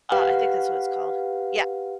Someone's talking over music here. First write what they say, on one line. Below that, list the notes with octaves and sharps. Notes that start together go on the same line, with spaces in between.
Uh, I think that's what it's called. Yeah.
G4 B4 F5 F#5